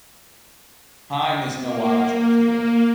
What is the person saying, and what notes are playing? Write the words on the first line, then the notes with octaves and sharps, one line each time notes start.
Time is no object here.
A#3